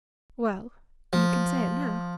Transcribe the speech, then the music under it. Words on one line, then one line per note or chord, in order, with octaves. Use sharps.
"Well;--you can say it now."
F3